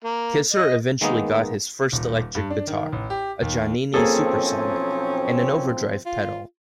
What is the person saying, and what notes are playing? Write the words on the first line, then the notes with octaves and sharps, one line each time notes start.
Kisser eventually got his first electric guitar, a Giannini-Supersonic, and an overdrive pedal.
A#3
D#5
D#3 G#3 A#3 B3 D#4
D#1
G2
D4
D#3
A1
G4
D#2
B1 F3 A#3 C4 C#4 G#4 A4
F4